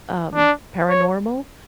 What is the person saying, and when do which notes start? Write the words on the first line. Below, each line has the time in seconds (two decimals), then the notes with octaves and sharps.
um, paranormal,
0.35 D4
0.89 C#5